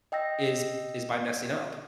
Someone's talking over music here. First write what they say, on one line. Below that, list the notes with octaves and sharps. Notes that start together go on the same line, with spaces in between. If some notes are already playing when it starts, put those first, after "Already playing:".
is, is by messing up,
D#5 G5 E6 A#6